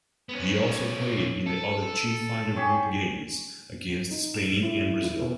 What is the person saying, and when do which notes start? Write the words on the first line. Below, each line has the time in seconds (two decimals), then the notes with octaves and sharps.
He also played in the other two final group games against Spain and Brazil.
0.29 B3 C#4
1.47 A4
2.56 G4 G#4 C#5
4.11 D#4
4.34 E7
4.62 A2
5.04 E4
5.21 B2